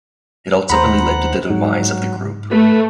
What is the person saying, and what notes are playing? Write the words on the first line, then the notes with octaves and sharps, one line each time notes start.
It ultimately led to the demise of the group.
D#2 C5 F#5 A#5 B5
G#2 F#3
A3 B4